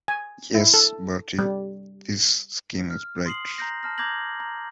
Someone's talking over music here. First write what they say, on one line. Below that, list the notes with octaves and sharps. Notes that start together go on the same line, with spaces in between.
Yes, Bertie, this scheme is bright.
G#5
E4
A4
G3
F6
C6 D#6 C7 F#7
A#5 G6 A#6
A5 F6 A#6
A#5 D6 G6 G#6 A#6 F#7
A#5